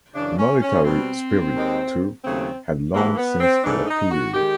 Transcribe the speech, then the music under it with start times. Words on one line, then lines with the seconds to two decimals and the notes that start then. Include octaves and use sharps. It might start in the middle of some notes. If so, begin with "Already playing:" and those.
The military spirit, too, had long since disappeared.
0.14 F#2 C#3 E3 D4
0.38 C#4
0.62 C#4
0.84 B2 G3 C4
1.54 D#2 D#3 G#3
2.24 D#2 C#3 F#3 A3 C4
2.94 G2 E3 G#3 A#3
3.13 A#3
3.18 B3
3.41 C4
3.64 G#2 E3 A3 D4
3.78 D4
3.87 D#4
4.11 F#4
4.34 D#3 G#3 G4